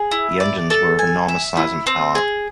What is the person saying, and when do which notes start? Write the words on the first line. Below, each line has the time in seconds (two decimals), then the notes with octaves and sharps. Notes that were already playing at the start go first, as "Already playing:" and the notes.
The engines were of enormous size and power.
Already playing: G#4
0.11 E4
0.40 D5
0.70 A4
0.99 G#5
1.28 E5
1.57 E4
1.87 C4
2.15 G#4